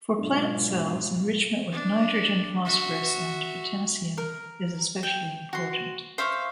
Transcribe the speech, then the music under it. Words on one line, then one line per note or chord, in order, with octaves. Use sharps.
For plant cells, enrichment with nitrogen, phosphorus, and potassium is especially important.
G#2 B2 F#3 B3 D4 F4
D4
F#4 E5
A#4
G5
F#4 C6
C5 E5 F5 C#6